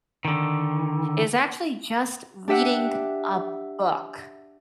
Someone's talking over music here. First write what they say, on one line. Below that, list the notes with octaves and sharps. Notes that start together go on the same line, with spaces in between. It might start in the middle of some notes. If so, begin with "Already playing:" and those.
is actually, just, reading a book,
D3 D#3
D4 G4 E5 F#5